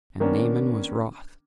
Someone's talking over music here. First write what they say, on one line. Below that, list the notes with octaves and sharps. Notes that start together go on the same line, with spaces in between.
And Naaman was wroth....
D#3 A#3 B3 C#4 D4 A#4